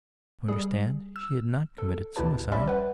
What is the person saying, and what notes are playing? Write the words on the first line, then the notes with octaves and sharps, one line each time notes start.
You understand she had not committed suicide.
G3 G#4
E6
A4
D2 B2 E4 G4 B4 A5
A#1 G3 C#4 D5 E5 B5
B4 F#5